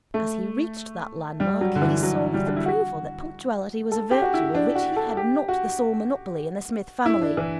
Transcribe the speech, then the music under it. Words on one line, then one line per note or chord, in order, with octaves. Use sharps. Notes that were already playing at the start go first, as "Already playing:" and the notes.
As he reached that land-mark he saw with approval that punctuality was a virtue of which he had not the sole monopoly in the Smith family.
A3
G3
F#3
D3
E3
F#3
G3
D4
E4
F#4
A4
G4
F#4
E4
D4
F#4
A4
G4
F#4
E4
D4
E3